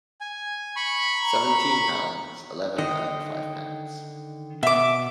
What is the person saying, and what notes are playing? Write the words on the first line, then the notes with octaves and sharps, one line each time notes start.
Seventeen pounds eleven and fivepence.
G#5
B5 C#6
A#5
D3 D#3 D#5
B2 E5 D6